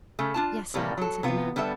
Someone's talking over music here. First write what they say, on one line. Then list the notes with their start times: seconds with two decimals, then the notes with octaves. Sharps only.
"Yes, sir," answered the man.
0.19 C#3 A3
0.34 D4 F4 A5
0.74 A2 C3 G3 A#3
0.98 F#3 A4
1.23 C3 B3 F4
1.56 D3 G3 B3 A4 E5